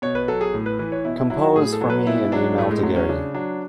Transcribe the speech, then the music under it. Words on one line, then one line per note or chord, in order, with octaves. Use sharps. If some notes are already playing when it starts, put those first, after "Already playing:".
Compose for me an email to Gary.
B2 C#5
B4
F#3 A4
G#4
A2
B4
E3 B4
C#5
B2 E4
E4
F#3 E4
F#4
A2 G#4
A4
F#3
B4
B2 E4
F#3 D4
A2 A3
G#3
F#3 A3
C#4
C#3 D4
F#3 D4